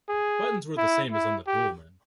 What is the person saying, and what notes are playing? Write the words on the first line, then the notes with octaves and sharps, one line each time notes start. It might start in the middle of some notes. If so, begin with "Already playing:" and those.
Buttons were the same as on the dolman.
G#4
E4
E4
G4